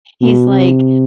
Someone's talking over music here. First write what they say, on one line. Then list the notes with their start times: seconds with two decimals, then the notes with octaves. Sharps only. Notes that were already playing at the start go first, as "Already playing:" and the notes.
he's like,
0.21 B2
0.49 C3